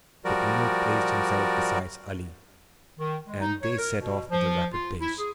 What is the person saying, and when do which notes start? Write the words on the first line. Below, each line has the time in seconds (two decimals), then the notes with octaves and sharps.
Peppino placed himself beside Ali, and they set off at a rapid pace.
0.25 F3 G3 F#4 A#4 D5
2.99 D#3
3.27 G#3
3.40 D#4
3.63 C#5
3.79 A#4
4.00 B2
4.31 F3
4.73 F4
5.00 E4
5.18 G#4